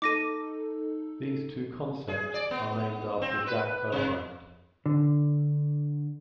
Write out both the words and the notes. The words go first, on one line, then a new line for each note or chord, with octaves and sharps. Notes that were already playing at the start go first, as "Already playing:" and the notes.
These two concepts are named after Jacques Herbrand.
D#4 A4 D6 A#6 D#7
G#4
D5
B3
C4
B4
C3
D3